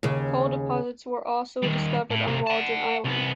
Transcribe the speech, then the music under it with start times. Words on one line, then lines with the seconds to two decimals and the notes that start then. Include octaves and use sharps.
Coal deposits were also discovered on Waldron Island.
0.03 D#2 C#3
1.63 D#3 G3
2.10 A2
2.27 C3 A#3
2.46 F#5 A5
3.05 C2 B3